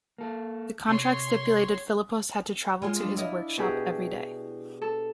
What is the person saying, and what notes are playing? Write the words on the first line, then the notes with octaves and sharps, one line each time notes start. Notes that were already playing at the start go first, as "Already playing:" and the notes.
The contract stipulated Filippos had to travel to his workshop every day.
A#3 A4
C3 C#5 C6
G#3 F4 G#4
D4
E4 D#5 F5
B2 G4 G#4
A4